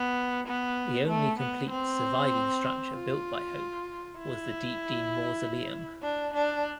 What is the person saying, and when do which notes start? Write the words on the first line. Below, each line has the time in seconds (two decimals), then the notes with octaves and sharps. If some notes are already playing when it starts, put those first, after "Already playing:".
The only complete surviving structure built by Hope was the Deepdene mausoleum.
Already playing: B3
0.47 B3
1.08 A3
1.39 B3
1.70 C4
2.94 F4
4.18 E4
6.02 D4
6.34 D4